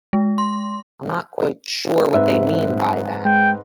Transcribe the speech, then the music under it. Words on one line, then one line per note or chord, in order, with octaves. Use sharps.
I'm not quite sure what they mean by that.
G#3
C6
G#2 C4 B4 E5
G#3 G5